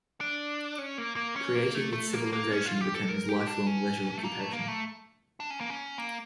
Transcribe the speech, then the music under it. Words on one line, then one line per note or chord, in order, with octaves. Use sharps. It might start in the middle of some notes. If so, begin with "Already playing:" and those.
Creating its civilization became his lifelong leisure occupation.
D4
C#4
A#3
A#3
C#4
A#3
A3
A3
A#3
A#3
C#4
F4
G4
A4
A#4
G4
D4
C#4
A3
A#3
A3
A#3
A3
D4
C#4
A#3
C#4
A#3